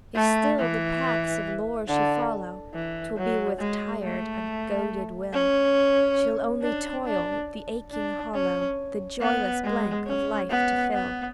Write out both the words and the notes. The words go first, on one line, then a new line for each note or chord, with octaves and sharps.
If still the paths of lore she follow, 'Twill be with tired and goaded will; She'll only toil, the aching hollow, The joyless blank of life to fill.
A3
E3
D3
E3
F#3
G#3
A3
C#4
D4
D4
D4
C#4
B3
G#3
C#4
B3
B3